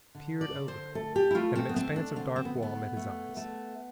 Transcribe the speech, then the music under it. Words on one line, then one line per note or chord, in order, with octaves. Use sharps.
He peered over, and an expanse of dark wall met his eyes.
D3
D5
D3
C5
A3 A4
G4
E4
A3 F4
C4
B3
A3 C4
D4
D3 C4
C4
B3
A3
B3
A3
A3